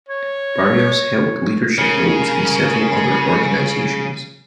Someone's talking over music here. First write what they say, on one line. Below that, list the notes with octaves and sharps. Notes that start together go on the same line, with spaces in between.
Barrios held leadership roles in several other organizations.
C#5
C#3 A#4